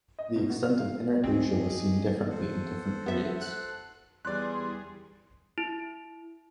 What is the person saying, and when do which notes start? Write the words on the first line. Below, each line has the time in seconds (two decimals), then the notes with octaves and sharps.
The extent of Inner Asia was seen differently in different periods.
0.19 D#5
0.36 B2
0.50 F#4
0.63 F6
0.79 F5
1.24 D2 C4 G4 G#4 D#5
2.29 A4 C5 F#5
3.06 B3 E5
3.41 F#6
4.25 E2 G3 G#4 D5 C6 F#6
5.58 E4